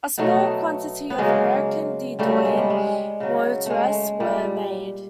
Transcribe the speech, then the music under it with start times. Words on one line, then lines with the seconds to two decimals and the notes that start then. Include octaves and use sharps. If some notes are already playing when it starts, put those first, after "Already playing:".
A small quantity of American De Dion Motorettes were made.
0.18 B2 F#3 A3 B3
1.10 B3
1.18 C#3 F#3 G#3 A#3
2.19 C#3 F#3 G3 A3
2.45 G#3
2.58 G3
2.70 G#3
3.20 C#3 F#3
3.66 G#3 A3
4.20 A#2 G3